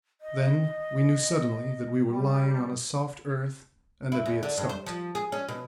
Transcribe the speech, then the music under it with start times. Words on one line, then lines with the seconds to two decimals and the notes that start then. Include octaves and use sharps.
Then we knew suddenly that we were lying on a soft earth and that we had stopped.
0.21 D#5
2.07 G3
4.12 E4
4.26 E2
4.43 D3
4.57 G2
4.69 C5
4.86 F3
5.15 G#4
5.32 C#4
5.48 B2